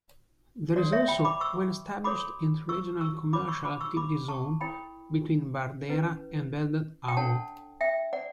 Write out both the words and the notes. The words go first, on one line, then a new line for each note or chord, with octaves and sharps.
There is also well-established inter-regional commercial activity zone between Bardera and Belad Hawo.
F#4 A4 C#5 D5
C#5 E5
G5 B5
B5 D6
C#6 E6
F#4 A4 C#5 B5 D6
C#6 E6
C#6 E6
F#4 C#5 B5 D6
C#6 E6
B5 D6
C#6 E6
B5 D6
A5 C#6
E4 A4 C#5 G5 B5
C#4 E4 B4
G5
D4 A4 C#5 F#5 A5
E5 G5
D5 F#5